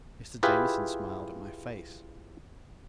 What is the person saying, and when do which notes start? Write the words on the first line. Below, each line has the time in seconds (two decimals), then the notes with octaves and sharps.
Mr. Jamieson smiled at my face.
0.43 E4 F4 G4 G#4 B4